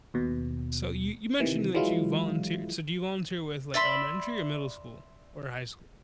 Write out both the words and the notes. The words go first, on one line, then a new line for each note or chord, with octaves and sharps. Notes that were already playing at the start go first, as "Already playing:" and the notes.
So you you mentioned that you volunteered so, do you volunteer with, like, elementary or middle school or high school?
D#2 B2
C3 D#3 E3
E3 F#3 G#3 E4 F4
D5 E5 B5 C6